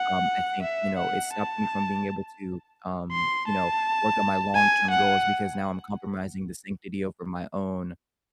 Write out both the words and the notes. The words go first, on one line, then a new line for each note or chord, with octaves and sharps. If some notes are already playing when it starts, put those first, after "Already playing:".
Um, I think, you know, it stopped me from being able to, um, you know, work on my long-term goals because now I'm compromising the sanctity over my own,
Already playing: F#5
E5
F#5
A5
C6
A5
G#5
F#5